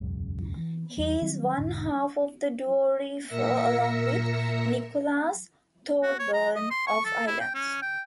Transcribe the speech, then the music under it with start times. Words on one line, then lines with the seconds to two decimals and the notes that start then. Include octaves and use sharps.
He is one half of the duo Reefer along with Nicholas Thorburn of Islands.
0.01 E1 C#2 F#2 C#3
0.58 E3
0.97 E2 G3
1.22 D#3 F#3 G3 C4
1.58 E1 G#2 D3
3.26 A#2 A#4 E5 E6 A#6 C#7
6.03 F#4
6.19 C#5
6.33 A#5
6.56 D#5
6.71 C6
6.87 C#6
7.05 A4
7.27 E4
7.40 G5
7.55 C#4
7.82 G5